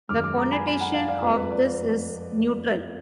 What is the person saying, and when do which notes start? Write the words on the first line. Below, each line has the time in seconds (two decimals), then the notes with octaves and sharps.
The connotation of this is neutral.
0.09 F#2 D#3 G#3 D6 F6
0.24 D6 F6
0.37 A#5 D6
0.52 G#5 B5
0.66 G#5 B5
0.80 F#5 A#5
0.94 F5 G#5
1.08 D5 F5
1.22 F2 F3 G#3 B4 D#5
1.37 B4
1.51 D5